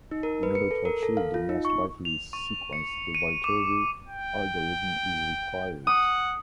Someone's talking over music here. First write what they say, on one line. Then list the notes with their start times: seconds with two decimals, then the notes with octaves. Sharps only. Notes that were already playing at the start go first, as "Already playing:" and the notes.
In order to achieve the most likely sequence, the Viterbi algorithm is required.
0.11 D#4
0.23 A#4
0.43 B4
0.55 C#7
0.71 A4
0.85 A#4
1.03 A4
1.17 F5
1.34 F4
1.49 D#4
1.65 C#6
2.05 F7
2.33 C#6
2.73 C#7
3.15 D#7
3.44 D6
4.08 G5
5.87 F#5 D#6